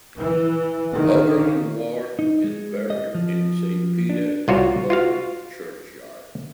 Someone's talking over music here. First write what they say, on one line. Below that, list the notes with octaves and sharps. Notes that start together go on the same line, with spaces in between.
Auberon Waugh is buried in Saint Peter and Paul's churchyard.
E3
D#3
D#4
G#3
D#5
F3
D4
C2 F4 F#4 C#5
F4 F#4 F5